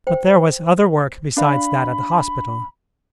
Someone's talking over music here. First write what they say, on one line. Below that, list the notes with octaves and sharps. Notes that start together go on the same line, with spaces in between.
But there was other work besides that at the hospital.
C5 G5
D4 F5 B5